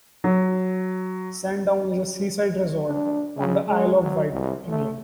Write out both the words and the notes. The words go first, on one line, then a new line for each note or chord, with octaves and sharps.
Sandown is a seaside resort on the Isle of Wight, England.
F#3
D4
C#3
G#3
F#3
C2
A3